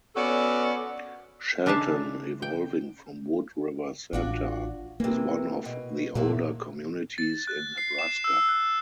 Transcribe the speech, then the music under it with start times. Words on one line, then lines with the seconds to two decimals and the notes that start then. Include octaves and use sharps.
Shelton, evolving from Wood River Centre, is one of the older communities in Nebraska.
0.16 B3 C#4 F#4 A4 D5
1.66 C#3 D4 D#4 E5 F5 A5
2.42 G5
4.13 A1 D4 F4 F#4
5.00 C3 E3 A#3
5.65 B2
6.15 A#2 F#3 A3 A#3
7.18 A6
7.47 F#6
7.78 C7
7.99 E7
8.24 E6
8.49 F#6